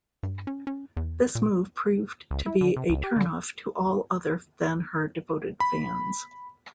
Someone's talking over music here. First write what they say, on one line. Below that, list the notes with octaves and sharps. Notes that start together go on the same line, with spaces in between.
This move proved to be a turn-off to all other than her devoted fans.
G2
C#4
C#4
E2
A#2
C#2
E4
D3
C3
C#2
G4
D3
B5